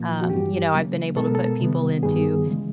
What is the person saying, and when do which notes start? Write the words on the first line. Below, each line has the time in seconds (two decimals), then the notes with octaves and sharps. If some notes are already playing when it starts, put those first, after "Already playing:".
um, you know, "I've been able to put people into,"
Already playing: A#2 F3 A#3
0.21 F#4
0.30 G2 E3 G3 G4
0.73 C#3 F#3 A#3
1.16 B2 G#3 B3 A4
1.26 A#4
1.35 A4
1.60 C3 D#3 G3 B3
2.03 G2 D#3 G3 B3 G#4
2.46 C#3 E3 G#3